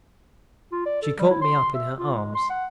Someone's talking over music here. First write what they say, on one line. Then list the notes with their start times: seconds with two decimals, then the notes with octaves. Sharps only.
She caught me up in her arms.
0.72 F4
0.86 D5
1.02 A4
1.19 G3
1.30 E4
1.42 C6
1.75 E5
1.97 F4
2.14 G#3
2.35 C6
2.50 F#5